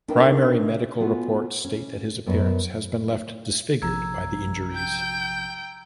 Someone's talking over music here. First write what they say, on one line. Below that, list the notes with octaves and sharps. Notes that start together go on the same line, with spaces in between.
Primary medical reports state that his appearance has been left disfigured by the injuries.
D4 D#4 A#4 B4 E5 G5
B3 F4 F#4 A4 G#5
C#4
F#2 F#3 B3 A#4 D5
A#1 C3 F3 A#5 E6 G#6
G5 G6